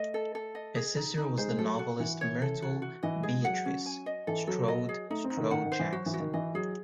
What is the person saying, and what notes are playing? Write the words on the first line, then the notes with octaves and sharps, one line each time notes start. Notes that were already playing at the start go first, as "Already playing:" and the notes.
His sister was the novelist Myrtle Beatrice Strode Strode-Jackson.
Already playing: A3 D#5
A4
A4
D#5
G#4
D#4
D#4
G#3 C5
F#3 A4
F#4
E3 F#4
C#5
A4
F#4
F#4
E3 D#5
G#3 G#4
F#3 F#5
C#4
G#5
D#5
E3 A4
F#3 A4
D#5
G#4
A3 D#4
C4
D#4
D#3
D#3 F#5
D#3
C5
E3
F#3 F#4
E3
F#4
D#3
E3 D#5
F#3 G#4